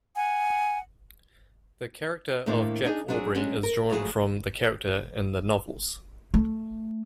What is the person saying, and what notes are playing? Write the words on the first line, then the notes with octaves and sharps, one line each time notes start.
The character of Jack Aubrey is drawn from the character in the novels.
F#5 G#5
D#2 A2 A#3 D4 C5
D4 D#4 G#4
F#3 C4 D4 G4 G#4
F#3 G#3 C#4 D4
A#4
F2 F#3 A3 F#4 G#4
A3